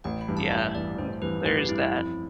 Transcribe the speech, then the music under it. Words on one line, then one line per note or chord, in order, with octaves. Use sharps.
Yeah, hmm, there's that.
A1 G5
B5
G2 E3
A5
A1 E5
G2 E3 D5
A1 C5
G2 E3 B4
A1 B4
G4
G2 E3 E4
E4
F2